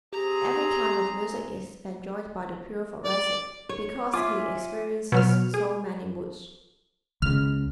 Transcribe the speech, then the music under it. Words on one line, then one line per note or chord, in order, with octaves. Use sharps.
Every kind of music is enjoyed by the pure Thoracic because he experiences so many moods.
C4 G4 G#4 A#5
D5
C#5
F4 E5 G#5 D6
B2 F#3 F6
G#4
C#2 C#3 F6